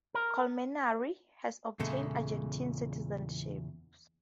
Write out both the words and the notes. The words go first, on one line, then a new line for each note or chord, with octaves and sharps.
Colmenares has obtained Argentine citizenship.
A#4
E2 A#2 C#3 G#3 A4